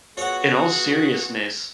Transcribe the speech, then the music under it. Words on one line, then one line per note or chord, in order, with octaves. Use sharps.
in all seriousness,
B3 F4 F#4 G#4 C#5 F#5